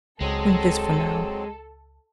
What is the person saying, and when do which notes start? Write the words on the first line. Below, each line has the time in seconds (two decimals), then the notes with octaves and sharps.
Drink this for now.
0.21 C#2 F#3 G#3 C4 A4